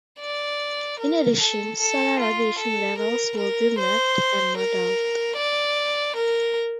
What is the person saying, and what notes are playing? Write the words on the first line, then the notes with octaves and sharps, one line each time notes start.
In addition, solar radiation levels will be mapped and modeled.
D5
A#4
A4
A4
F4
A4
A#4
A#4
C5
A#4
D5
A#4